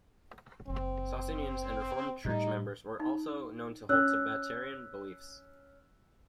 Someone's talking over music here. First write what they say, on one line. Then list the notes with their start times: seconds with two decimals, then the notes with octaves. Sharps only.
Socinians and Reformed Church members were also known to hold Sabbatarian beliefs.
0.67 F#1 C4
2.25 A2 G3 D#4
3.00 D#4
3.89 C#4 E6 F#6